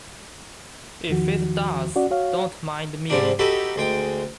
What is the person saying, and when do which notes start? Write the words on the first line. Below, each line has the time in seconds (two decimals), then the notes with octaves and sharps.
If it does, don't mind me.
1.09 E2 D#3 F3 F#4
1.96 C#4 F#4 D5 F#5
2.11 F#4 C#5 F5
3.10 G#2 C3 G3 D4
3.39 D#4 F#4 G4 A4 B4
3.76 D2 G#3 G5